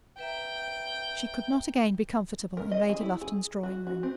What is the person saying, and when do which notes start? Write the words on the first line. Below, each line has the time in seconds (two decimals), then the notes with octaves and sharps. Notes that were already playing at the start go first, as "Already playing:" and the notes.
She could not again be comfortable in Lady Lufton's drawing-room.
0.19 B4 E5 G5 A#5
2.57 A#4
2.71 D#5
2.89 G#4
3.01 E4
3.21 G#4
3.63 F#4
3.87 F#4
4.03 C4